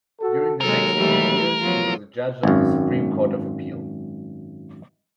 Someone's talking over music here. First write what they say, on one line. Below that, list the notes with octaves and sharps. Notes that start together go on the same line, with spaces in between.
During the-next few years he was judge of the supreme court of appeal.
F#4 A4
D#2 F#3 G#3 A4 A#4
E3 G3 A3
F2 F3 F#3 B3 F4
G#1 F#2